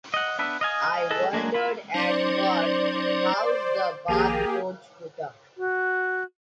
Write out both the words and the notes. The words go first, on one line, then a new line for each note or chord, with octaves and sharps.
I wondered at what house the Bath coach put up.
D#5 F#5
B3 D4 B4 E5
D#5 F5 G#5 D#6
G#4 A4 B4 D#5
F#3 G#3 A#3 D4
E4 F4 B5
F#3 C#4 D#4 C5 D5
A#1 D#3 F3 A#3 G4 G#4
F#4